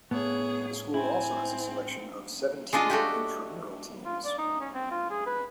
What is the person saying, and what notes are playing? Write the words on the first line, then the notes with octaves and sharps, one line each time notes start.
The school also has a selection of seventeen intramural teams.
A2 B3 G#4 C#5
C4 E4 G#5
G#3 D4 F4 D#5
A3 F#4 G4
F4
D5
D#4
C#4
C4
F4
G#4
B4